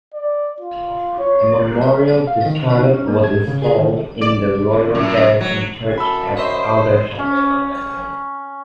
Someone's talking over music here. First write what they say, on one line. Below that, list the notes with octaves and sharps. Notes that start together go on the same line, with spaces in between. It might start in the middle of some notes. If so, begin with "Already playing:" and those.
A memorial to Scarlett was installed in the Royal Garrison Church at Aldershot.
D5
F4
C#5
A#4
F5
D#3
C#3
D#4
C#4
A#3
G#6
C#3
G#4
D#3
D5
F#2
F#3
F#2 A4 B5 E6
C5 C#5 D#5 E5
C#4